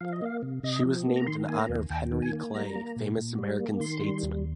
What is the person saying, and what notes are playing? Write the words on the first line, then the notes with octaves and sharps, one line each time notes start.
She was named in honor of Henry Clay, famous American statesman.
F3 F5
D#5
A#3 F5
C3
C3 D#5
F3
A#3
A#5
D#3 C6
A#3 G#5
A#5
D#2
D#2 G5
D#3
G#5
A#3
G3 A#5
A#3
A#2
A#2
G3
A#3
D#3 C6
G3
D#2